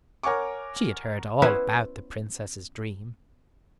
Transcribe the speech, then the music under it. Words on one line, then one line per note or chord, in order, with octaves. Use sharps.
She had heard all about the Princess's dream.
A#4 C#5 F#5 G#5 C#6 D6
B3 C#4 E4 B4 C5 G#5